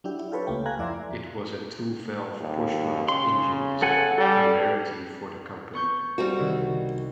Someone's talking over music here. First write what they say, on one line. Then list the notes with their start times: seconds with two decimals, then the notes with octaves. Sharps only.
It was a two-valve pushrod engine design, a rarity for the company.
0.04 F#3 D4 E4 G4
0.19 E4
0.32 F4 G4 A4 B4 C#5
0.47 C#2 A3 A#3 G5
0.66 A4 F5 G#5 A#5 F#6 G#6
0.78 F2 E4 D5 E5 A#5 C6
2.40 D#2
3.08 C#3 C6
3.82 A4 F#5 G#5
4.18 G3 A4
5.73 B3 C#6 G6
6.18 G3 C4 F#4
6.39 C2 D#3